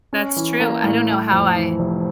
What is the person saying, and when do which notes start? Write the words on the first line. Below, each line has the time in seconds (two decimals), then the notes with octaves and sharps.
That's true, I don't know how I
0.13 C#4
0.36 E3
0.60 A#3
0.84 A2
1.08 A3
1.32 F2
1.56 E3
1.79 F1